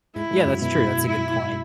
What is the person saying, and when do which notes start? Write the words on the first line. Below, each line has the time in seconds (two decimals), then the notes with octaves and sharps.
Yeah, that's true. That's a good point.
0.16 G#2 G#3 E4
0.31 G#2 G#3
0.46 F#2 F#3
0.62 B2 E4
1.07 E4